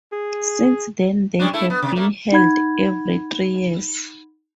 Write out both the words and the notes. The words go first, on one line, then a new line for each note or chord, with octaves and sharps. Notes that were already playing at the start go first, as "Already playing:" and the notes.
Since then they have been held every three years.
G#4
G3 C#4 D4
A3 E4 A4
B3
C3
A3 A#3
D#4 F#5 B5 G#6